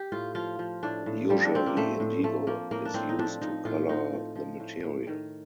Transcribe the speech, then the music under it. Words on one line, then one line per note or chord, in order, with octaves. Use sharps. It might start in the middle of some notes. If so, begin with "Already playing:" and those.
Usually indigo is used to colour the material.
Already playing: G4
A2 F4
F3 F4
F3
A2 D4
A2
F3 G3
D4
F3 C4
A#3
A2 A3
A2
F3 A3
F3 A#3
A2 A#3
D4
A2 C4
D#4
F3 D4
F3 D#4
A2 F4
A2 D#4
F3
F3
A2
A2
D#3